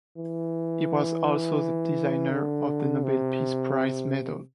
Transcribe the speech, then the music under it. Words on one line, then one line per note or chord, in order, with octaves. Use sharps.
He was also the designer of the Nobel Peace Prize medal.
E3
D3
C3